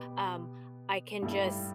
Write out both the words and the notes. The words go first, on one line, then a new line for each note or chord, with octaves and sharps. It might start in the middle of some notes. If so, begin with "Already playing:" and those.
um, I can just
Already playing: B2 B3 G4
G2 G3 E4 A4 D5